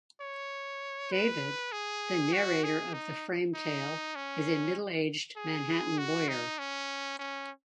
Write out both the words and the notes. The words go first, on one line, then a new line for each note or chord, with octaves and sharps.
David, the narrator of the frame tale, is a middle-aged Manhattan lawyer.
C#5
B4
G#4
F#4
G#4
D#4
D#4
C#4
G#4
F#4
D#4
C#4
C#4